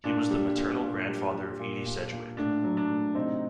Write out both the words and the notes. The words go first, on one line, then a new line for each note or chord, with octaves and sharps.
He was the maternal grandfather of Edie Sedgwick.
A#2 D4
G3
A#2
A#2
G3
G3
A#2
A#2
A#2
A2 D4
F#3
D4
A2
C3 C4 D#4